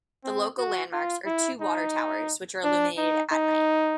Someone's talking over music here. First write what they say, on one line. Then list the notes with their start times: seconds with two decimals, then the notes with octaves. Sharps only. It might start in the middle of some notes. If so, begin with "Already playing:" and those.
The local landmarks are two water towers, which are illuminated at night.
0.24 C4
0.58 F#4
0.92 F4
1.26 E4
1.61 D#4
2.63 D4
2.97 D#4
3.32 D#4